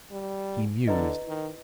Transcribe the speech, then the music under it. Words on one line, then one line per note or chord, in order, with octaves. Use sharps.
He mused.
G3
D3 E4 B4 D#5
D#3